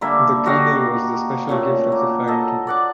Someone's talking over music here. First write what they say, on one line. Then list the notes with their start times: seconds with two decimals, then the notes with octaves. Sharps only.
The candle was the special gift of the Fire King.
0.01 D3 G3 A#3 E5
0.46 F#4 G4 D#5 F5
1.49 A#2 C#3 A3
1.92 A#3
2.27 A4 D#5
2.67 D5 F#5 D6